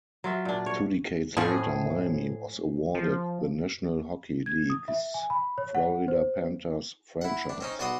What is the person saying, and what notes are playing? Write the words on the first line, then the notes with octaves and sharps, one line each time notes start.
Two decades later, Miami was awarded the National Hockey League's Florida Panthers franchise.
F#3 F4 E5
A#2 D4
C#5
A2 F3 G#4
F3
G#6
D#6
E5
G#5
B5
C#5
F#5
C5
E4 F#5
D4
C4 C#4 D#4
B1 F#4 D5 F#5 C6 D#6